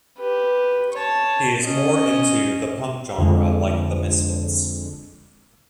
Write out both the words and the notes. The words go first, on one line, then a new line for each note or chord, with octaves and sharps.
He is more into the Punk genre like the Misfits.
G4 B4
C#5 A5
C#4 D#5
F2 D3 G#3